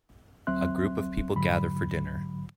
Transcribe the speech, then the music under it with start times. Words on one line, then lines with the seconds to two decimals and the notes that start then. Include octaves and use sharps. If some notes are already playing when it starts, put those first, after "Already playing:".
A group of people gather for dinner.
0.47 D2 F#3 C4 E5 C6 F#6
1.36 G#2 D3 F#3 B5